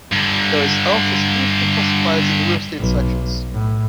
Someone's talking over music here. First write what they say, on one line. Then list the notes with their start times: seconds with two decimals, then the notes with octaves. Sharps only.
There is also a significant classifieds and real estate sections.
0.13 G2 D3
2.79 B1
3.52 A2